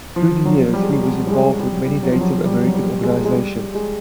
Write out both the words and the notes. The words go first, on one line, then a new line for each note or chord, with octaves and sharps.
Through the years, he was involved with many Native American organizations.
F3
F#3
G3
G#3
G3
G#3
G3
G#3
G3
F#3
G3
F#3
F3
F#3
G3
F#3
G3
G#3
G#3
G3
G#3